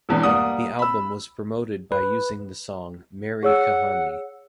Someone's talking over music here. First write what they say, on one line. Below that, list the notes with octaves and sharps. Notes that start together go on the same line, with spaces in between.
The album was promoted by using the song "Meri Kahani".
E1 E2 G2
G3 A#3 F#5 D#6
B5 E6
B4
G#4 C#5 F#5 E6